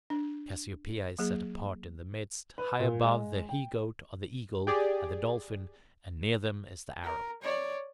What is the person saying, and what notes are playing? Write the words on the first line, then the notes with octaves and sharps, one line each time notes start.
Cassiopea is set apart in the midst. High above the He-Goat are the Eagle and the Dolphin, and near them is the Arrow.
D4
F#3 A#3 G#4
B4
A#2
G#3
G5
G4 G#4 D5
A#4
C#5 D5